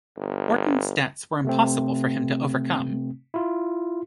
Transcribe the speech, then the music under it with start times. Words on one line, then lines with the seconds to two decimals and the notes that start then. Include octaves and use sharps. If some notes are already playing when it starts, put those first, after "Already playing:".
Wharton's debts were impossible for him to overcome.
0.17 G1
1.45 C3 A3 C4
3.34 E4 F4